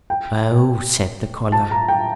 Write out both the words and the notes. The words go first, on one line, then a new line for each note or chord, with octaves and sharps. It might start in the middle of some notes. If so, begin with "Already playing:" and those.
"Oh!" said the collar.
G5
A5
A#5
G5